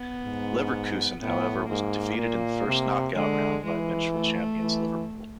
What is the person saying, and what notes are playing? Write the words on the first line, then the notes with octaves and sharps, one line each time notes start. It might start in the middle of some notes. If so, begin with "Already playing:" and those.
Leverkusen, however, was defeated in the first knockout round by eventual champions Liverpool.
Already playing: B3
G#2
A2 B3
G#2 A#3
A#2
C3
D3 G#3
E3 G#3
A3
E3